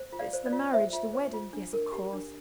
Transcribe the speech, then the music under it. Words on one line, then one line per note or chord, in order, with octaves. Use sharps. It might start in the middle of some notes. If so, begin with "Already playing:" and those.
It's the marriage, the wedding ... yes, of course.
Already playing: C5
F4
D5 F5
C5
D5
F4
C5 E5
F4
C5
F4
D4
A#4
G4
D4